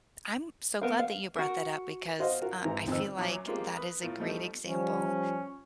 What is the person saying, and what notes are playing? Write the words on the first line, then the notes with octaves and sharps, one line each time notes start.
I'm so glad that you brought that up because, uh, I feel like that is a great example,
B3 A#4 F5
F5
F#4 A#4
F#4 C5 D#5 F5
F4 F#4 A#4
G#1 E3 A#5
F2 D#3 C4 E6
F#2 A#2 F#3 C#5 A#5 D6
G#3 A#3 C4 F4 G4 G#4
B4 B5 D#6
A2 F4 A#4
F3 G3 A3 D#4
F3 G3 C#4